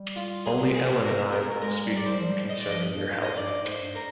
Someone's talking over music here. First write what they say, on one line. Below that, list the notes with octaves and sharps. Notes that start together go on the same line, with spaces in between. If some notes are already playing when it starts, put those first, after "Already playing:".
Only Ellen and I were disputing concerning your health.
Already playing: G3
F4
G#4
G#4
A#4
A#4
G#3 A#4
G3
D5
G3 C5
F3
G3
D#5
D5
F3 D#5
G2
G#2 F5
D#5
G2 D5
G#2
C5
G2
A#4